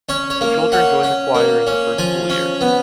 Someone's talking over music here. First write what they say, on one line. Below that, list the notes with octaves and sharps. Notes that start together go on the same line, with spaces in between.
The children join the choir in the first school year.
C#4 C#5
C#5
A#3
C#4 F#5
C#4
A#3
C#4
F3 G#5
C#4
B3